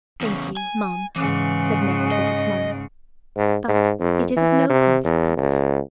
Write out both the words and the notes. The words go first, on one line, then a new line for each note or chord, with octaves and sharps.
"Thank you, ma'am," said Mary, with a smile, "but it is of no consequence."
E2 C#3
G#5
G#2 C#3 E3
D#5
G#2
G#2
F2
E3
C3
E2
C#2